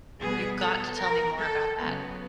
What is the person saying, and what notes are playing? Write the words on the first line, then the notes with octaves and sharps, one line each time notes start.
You've got to tell me more about that.
B2 G3 B3 G#4
A4
A#4
A4
C#3 F#3 B3